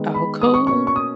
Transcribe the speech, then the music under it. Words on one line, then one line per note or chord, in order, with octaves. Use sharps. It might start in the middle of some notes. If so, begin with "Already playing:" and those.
Oh, cool.
Already playing: D#3 G#3 B3
B5
D#6
C#6
B2 A#3 C#4 C#6
C#6
D#6